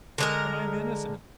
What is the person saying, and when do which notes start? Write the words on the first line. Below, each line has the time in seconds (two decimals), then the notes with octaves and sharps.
"But I am innocent."
0.18 D3 G#3 A#4